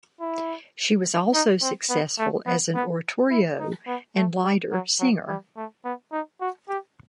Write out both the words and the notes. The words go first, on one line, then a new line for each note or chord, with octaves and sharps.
She was also successful as an oratorio and lieder singer.
E4
D#4
C4
B3
A3
B3
B3
E4
D#4
B3
A3
G3
F#3
F#3
G3
A3
B3
D#4
F#4
G4